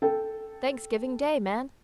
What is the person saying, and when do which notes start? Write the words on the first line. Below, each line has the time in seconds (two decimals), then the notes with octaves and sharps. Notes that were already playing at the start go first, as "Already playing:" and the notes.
'Thanksgiving Day, man!
0.02 A4 G5